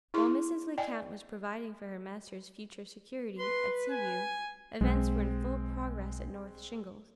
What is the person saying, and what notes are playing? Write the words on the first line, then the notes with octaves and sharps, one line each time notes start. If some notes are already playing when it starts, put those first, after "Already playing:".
While Mrs. Lecount was providing for her master's future security at Sea View, events were in full progress at North Shingles.
E4 G#4 C6
D5 D#5 G5 G#5
B4 C6
G#5
B1 G#3 C4